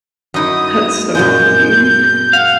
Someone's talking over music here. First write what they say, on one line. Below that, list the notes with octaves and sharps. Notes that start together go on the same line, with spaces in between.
That's so funny.
F#2 D#4 E4 D#6
F#2 A#2 G#3 G6
F5 F#5